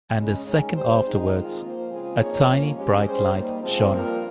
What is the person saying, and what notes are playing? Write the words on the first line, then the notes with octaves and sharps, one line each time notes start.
And a second afterwards, a tiny bright light shone.
C#3 G#3 C#4
D#3 G#3 C#4
G3 C4 G4 C5
F3 G#3 C4 D#4 G#4
D#3 G#3 C4 F4
F3 A#3 F4 C5
C#3 G#3 C4 F4 G#4
F3 A#3 D#4 G#4 C#5
G#2 F3 A#3 C#4
G#3 C#4 G4
G3 C#4 G#4 C5
G3 A#3 D#4
C3 F3 G#3 C4
G2 F3 A#3 F4 A#4